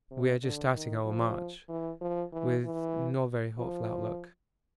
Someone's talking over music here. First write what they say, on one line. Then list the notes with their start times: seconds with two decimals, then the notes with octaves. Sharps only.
We are just starting our march with no very hopeful outlook.
0.11 C3
0.43 D3
0.74 D#3
1.05 F3
1.69 E3
2.01 F3
2.33 E3
2.64 E3
3.59 F3